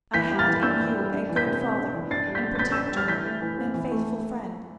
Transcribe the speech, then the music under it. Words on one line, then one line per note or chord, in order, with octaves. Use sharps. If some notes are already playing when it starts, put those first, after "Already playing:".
I had in you a good father and protector and faithful friend.
E3 G6 B6
G3
F6 A6
E3
D4 E6 G6
E3
G3
D4
E3
G6 B6
C3
B3
D4
E3
D4 A6 C7
G3
G6 B6
D3
A6
B3 G6 B6
D4 E6 G6
G3 F6 A6
E3 G6 B6
A3
E3
C4
E3
A3